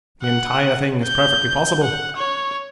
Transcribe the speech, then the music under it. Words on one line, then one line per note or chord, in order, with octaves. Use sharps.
The entire thing is perfectly possible.
F#5
G6
F#5
C#5